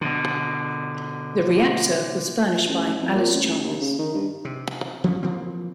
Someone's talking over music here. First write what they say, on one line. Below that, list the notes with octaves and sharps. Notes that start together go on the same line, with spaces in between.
The reactor was furnished by Allis-Chalmers.
B2 D3
A1
F2
A#2
A1
D#2
C#3
D#3
G2
C3
F3 G3 C4 C#4
E3 F3 A#3 C4